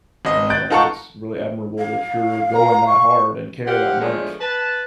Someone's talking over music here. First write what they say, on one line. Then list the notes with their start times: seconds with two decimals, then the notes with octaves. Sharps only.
and I think it's really admirable that you're going that hard and care that much,
0.25 G#1 D#5
0.50 F#6 G6 A6 D7
0.70 D#4 F4 A4 F#5 A#5 C#6
1.78 F5
2.54 A#5
2.87 C#6
3.67 G4 C5 F5 F#5
4.01 A2 D3 F3 G#3 A3 B3
4.40 B4 A5